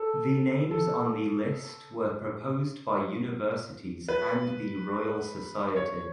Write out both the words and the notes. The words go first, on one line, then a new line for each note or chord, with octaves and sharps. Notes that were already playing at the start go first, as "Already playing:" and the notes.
The names on the list were proposed by universities and the Royal Society.
Already playing: A4
A4
B4
C#5